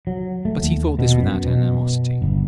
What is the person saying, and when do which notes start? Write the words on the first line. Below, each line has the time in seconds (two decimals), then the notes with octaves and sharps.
But he thought this without animosity.
0.07 F#3
0.45 A3
0.62 D#2
0.99 B2
1.22 F#2
1.45 B2
2.22 G1